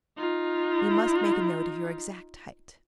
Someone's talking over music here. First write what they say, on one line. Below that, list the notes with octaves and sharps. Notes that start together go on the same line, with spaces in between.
"We must make a note of your exact height."
D#4 F4